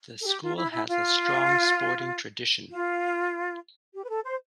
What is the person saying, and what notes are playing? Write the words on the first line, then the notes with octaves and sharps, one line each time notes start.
The school has a strong sporting tradition.
A4
G4
F4
E4
E4
F4
F4
G4
B4
A4
C5